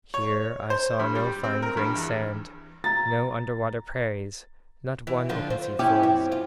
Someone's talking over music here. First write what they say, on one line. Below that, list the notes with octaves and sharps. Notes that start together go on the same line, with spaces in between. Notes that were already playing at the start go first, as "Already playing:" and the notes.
Here I saw no fine-grained sand, no underwater prairies, not one open-sea forest.
C#5
C5
G2
G3
C4
A#4
G2
E2
A#5 A6
E3
D3 F3 F4
C5
C#4 E4 G4
F#2 C4
F4